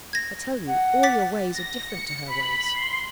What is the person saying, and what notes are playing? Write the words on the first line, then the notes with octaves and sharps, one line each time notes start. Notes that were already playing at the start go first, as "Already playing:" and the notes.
I tell you, all your ways are different to her ways.'
G#6 A#6
F#5
D6 A6 B6
A#6
C#7
B5
C6